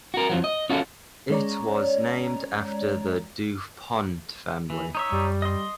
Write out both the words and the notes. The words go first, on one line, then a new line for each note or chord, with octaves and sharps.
It was named after the Du Pont family.
F#4 A#4
F2 F3 F#3
D#5
C#4 F4 F#4 A4
G#3 C#4 C#5 D5 A#5
E3
D#4 C#5 E5
F#2 G3
D#5 C6